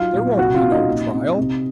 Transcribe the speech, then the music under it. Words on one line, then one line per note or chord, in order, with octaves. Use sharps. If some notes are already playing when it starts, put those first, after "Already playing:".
There won't be no trial.
Already playing: F#3 D#4 F4 F5
A#2
C3 F#4 F#5
F#5
F4 F5
C#4
D#4 D#5
A#2
C4
C3